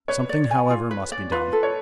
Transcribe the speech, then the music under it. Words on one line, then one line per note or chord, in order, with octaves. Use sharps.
Something, however, must be done.
B4 C#5
D5
G#5
F4
B4
D5
F4 B4
A4
C#5